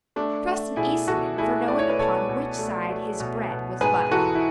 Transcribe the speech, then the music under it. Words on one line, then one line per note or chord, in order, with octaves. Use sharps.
Trust an Eastman for knowing upon which side his bread was buttered.
A3 D4
A3
B2 E4 G#4
B2 F#4 A4
A3 E4 G#4
A3 D5
C#5
B4
B2 A4 C#5
B2
A3
A3
B2
B2
G#2 G#4 B4
E3 F#4 A4
E4